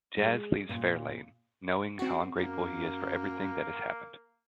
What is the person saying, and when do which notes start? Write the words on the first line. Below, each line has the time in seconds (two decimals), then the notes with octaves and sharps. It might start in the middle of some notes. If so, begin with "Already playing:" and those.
Jazz leaves Fairlane, knowing how ungrateful he is for everything that has happened.
0.17 G#3
0.69 A#2
1.99 C4 F#4
2.38 F#2 A#3